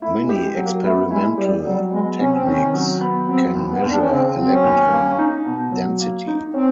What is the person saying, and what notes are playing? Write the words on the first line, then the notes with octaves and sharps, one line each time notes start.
Many experimental techniques can measure electron density.
A3 E4
G#3
G4
G#3
F#3
A#3
A3 B3
G#3 E4
G3 G4
F#3 G3
G#3 B3
C3 C#4
C4
D#3 C#4
F#3
B3
F#3 C4
D#2
B3
D#2 D4
C#4
C#3 C4
F#3 C4
C#4
D#2
A#3
D#4
B2
F#3
A#3
D#4
C4 C#4